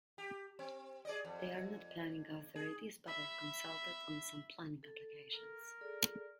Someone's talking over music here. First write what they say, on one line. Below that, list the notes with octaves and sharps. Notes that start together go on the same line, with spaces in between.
They are not planning authorities, but are consulted on some planning applications.
G4
C4
G#4 D5 D#5
F2
G#4
E5 B5
A4
A#4
G#4 A4 D5